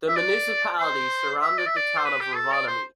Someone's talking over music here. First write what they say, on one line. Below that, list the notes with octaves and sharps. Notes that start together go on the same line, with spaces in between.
The municipality surrounded the town of Rovaniemi.
E5
D5
C5
E5
D5
E5
D5
C5
B4
G4
A4
D5
C5